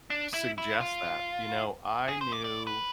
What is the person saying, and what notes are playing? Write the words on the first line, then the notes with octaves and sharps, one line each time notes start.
suggest that, you know, I knew,
D4
E4
E4
F4
G#4
C5
D5
D5
B4